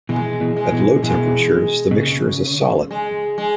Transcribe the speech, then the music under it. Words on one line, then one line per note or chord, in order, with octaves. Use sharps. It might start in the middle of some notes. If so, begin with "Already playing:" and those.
At low temperatures, the mixture is a solid.
B2 E3 G#3
B2 E3
G#3
B2 E3
B2 E3 G#3
B2
C#3
G#3
G#3